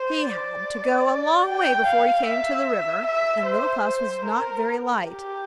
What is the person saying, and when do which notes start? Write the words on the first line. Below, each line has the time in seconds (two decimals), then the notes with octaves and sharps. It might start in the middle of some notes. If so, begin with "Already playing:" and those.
He had to go a long way before he came to the river, and Little Klaus was not very light.
Already playing: C5
0.27 D5
1.47 G5
1.87 F5
2.27 E5
3.07 E5
3.46 C5
3.85 C5
4.25 A#4
5.06 G4